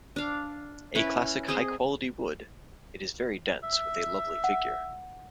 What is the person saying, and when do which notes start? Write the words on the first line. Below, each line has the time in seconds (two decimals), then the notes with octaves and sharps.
A classic high-quality wood, it is very dense with a lovely figure.
0.16 D4 F5
0.95 C#4 E4 B4 C#5
1.48 C4 G#4 D#5 C6
3.63 E5
4.44 F#5